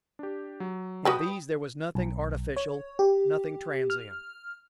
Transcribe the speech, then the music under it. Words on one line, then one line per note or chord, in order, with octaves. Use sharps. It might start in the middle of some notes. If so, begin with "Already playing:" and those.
In these there was nothing artificial, nothing transient.
D4 G4
F#3
F#4 B4 G5 A5 B5 D#6
B1
C#5
G4
F6